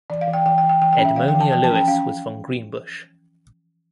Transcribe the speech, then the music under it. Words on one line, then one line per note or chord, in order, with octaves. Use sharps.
Edmonia Lewis was from Greenbush.
E3 D5
F5
E3
G5
E3 G5
G5
E3
G5
E3 G5
G5
C#4
E5
E3 F5
G5
E3
A5
F3 G5
A5
C#4
G5
C#4 F5